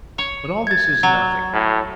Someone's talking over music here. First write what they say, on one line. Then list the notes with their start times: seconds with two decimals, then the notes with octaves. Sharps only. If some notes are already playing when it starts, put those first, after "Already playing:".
But all this is nothing.
0.18 C#5
0.67 G#6 A6
1.03 F#3
1.53 A2